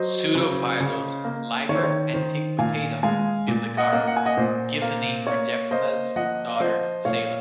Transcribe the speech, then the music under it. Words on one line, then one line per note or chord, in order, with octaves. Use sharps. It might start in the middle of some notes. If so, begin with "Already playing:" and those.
Pseudo-Philo's "Liber Antiquitatum Biblicarum" gives a name for Jephthah's daughter, Seila.
Already playing: F#3 C5 D#5
C#3
C#3
A#3
D#3 C#5
C5
C#5
D#3 C5
A#2 F5 G#5
G#3 F5 G#5
A#2
D#5 F#5
A#3
F#5
G#5
D#5 F#5
A#2 C5
A#3
A#3 C#5
A#3 C5 D#5
F3 D#5 F#5
F5
F3 C5 D#5
A#2 C#5 F5